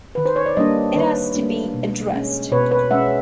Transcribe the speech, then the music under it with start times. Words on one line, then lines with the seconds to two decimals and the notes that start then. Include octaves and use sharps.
It has to be addressed.
0.15 D#3 B4
0.26 C5
0.36 C#5
0.46 D5
0.57 G3 A#3 D4 C#5 D#5
0.96 D#3 B4 C#5
1.35 G3 A#3 D4
1.74 B2
2.13 G#3 C#4
2.52 B2 B4 C#5
2.71 B4 C#5
2.91 G#3 C#4 E5 F#5